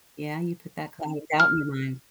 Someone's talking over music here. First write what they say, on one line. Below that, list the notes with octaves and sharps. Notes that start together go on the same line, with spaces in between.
yeah, you put that cloud of doubt in your mind.
F6